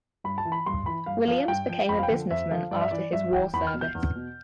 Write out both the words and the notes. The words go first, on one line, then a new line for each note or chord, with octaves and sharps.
Williams became a businessman after his war service.
G2 B5
A5
E3
B5
G2 C6
E3 B5
G2 F5
F3 F5
G2 G5
F3
F2 B5
F5
G5
D3 F3
F2 E5
D3 F3 F5
G2 D5
E5
E3 D5
G2 E5
E3 G5
E2 B5
F6
B2
G6
E2
B2